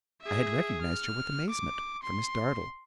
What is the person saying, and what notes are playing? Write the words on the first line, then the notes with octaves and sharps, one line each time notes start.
I had recognized her with amazement, for Miss Dartle.
G#4 E5
F6
D6
C6